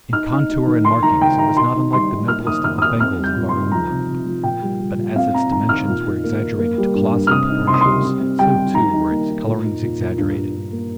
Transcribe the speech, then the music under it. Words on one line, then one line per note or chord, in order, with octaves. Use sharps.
In contour and markings it was not unlike the noblest of the Bengals of our own world, but as its dimensions were exaggerated to colossal proportions so too were its colorings exaggerated.
D#4 F6
D#4
D#4
D#3
D#3 C6
D#3 A#5
D#3 G5
D#4 A#5
D#4 C6
D#4
G3 C6
D#4
A#3 F6
D#3 D#6
D#3 F6
D#6
D#4 F6
C4 F6
G3
G6
A#2
C6
D#4
F3 A#5
C3
C3
F3
A#2 G5
G3
G3
A#2
C4 F5
C4 A#5
D#3 A#5
D#3 F6
A#2
D#4
A#3
D#4
A#3
G3
G2
G2
F6
C3 D#6
D#4
C3 C6
D#6
G3 C6
C4
C4
G3 G5
G3
D#3 A#5
D#4
A#3
D#4
A#2
D#4
A#2
A#2
G2
G2
G2
A#3